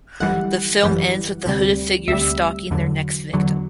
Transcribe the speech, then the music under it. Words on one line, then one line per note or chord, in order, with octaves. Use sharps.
The film ends with the hooded figures stalking their next victim.
G1 F#2 E3 G3 F#5
G1 F#2 E3 G3
D2 C3 G3
D2 C3 G3 E5
E2 D3 F#3
E2 D3 F#3